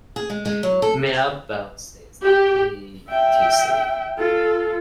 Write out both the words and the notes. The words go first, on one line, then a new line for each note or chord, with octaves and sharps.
Mail Boxes Etc.
G#4
G#3
G#3
F#3
A4
G4
E5 G5
F4 A4